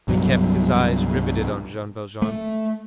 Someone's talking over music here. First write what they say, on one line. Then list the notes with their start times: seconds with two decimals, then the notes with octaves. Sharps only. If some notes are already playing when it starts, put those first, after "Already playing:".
He kept his eyes riveted on Jean Valjean.
0.08 C2 G2 B2 F#3
2.22 A3